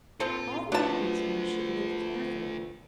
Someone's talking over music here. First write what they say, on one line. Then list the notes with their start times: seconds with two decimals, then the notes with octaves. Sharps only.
'All the more reason you should live carefully.
0.20 G2 A#2 C4 F4 A4 C6
0.72 D3 F3 A3 B3 D4 A5